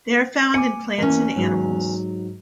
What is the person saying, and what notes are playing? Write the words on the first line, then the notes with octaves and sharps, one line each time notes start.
They are found in plants and animals.
G#5 D6 C#7
E2 E3 A#3 C#4
G#2 F#3 F7